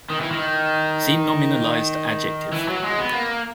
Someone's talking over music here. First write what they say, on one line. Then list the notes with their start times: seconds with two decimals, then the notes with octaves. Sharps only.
See nominalized adjective.
0.10 D#3
0.20 E3
0.31 D#3
2.52 E3
2.68 F#3
2.83 G#3
2.98 B3
3.13 A#3